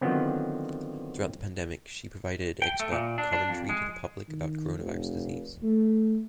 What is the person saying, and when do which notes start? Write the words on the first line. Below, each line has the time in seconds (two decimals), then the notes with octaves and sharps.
Throughout the pandemic she provided expert commentary to the public about coronavirus disease.
0.01 D3 D#3 F3 F#3 B3 C4
2.62 G5
2.80 A3
2.92 A#2
3.18 D4
3.33 D4
3.49 F2
3.69 G#3
4.28 D#3
4.77 F1
5.63 A3